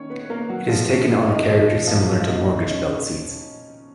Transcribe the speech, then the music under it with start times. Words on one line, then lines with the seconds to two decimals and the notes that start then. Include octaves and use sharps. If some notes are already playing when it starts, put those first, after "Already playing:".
It has taken on a character similar to mortgage belt seats.
Already playing: D#3 A#3 C#4 C#5
0.10 B3 B4
0.25 B4
0.30 A#3 A#4
0.49 F#3 F#4
0.69 A#2 F3 G#3 F4
0.89 C#4
1.23 F4
1.28 D#4
1.48 A#2 F3 G#3 D#4
1.87 F3 F4
2.20 F4
2.27 B2 A#3 D#4
2.60 D#4
2.66 C#4